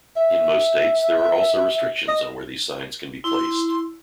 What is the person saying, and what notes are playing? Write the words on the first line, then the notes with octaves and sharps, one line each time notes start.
In most states, there are also restrictions on where these signs can be placed.
E5
D#5
E4 C6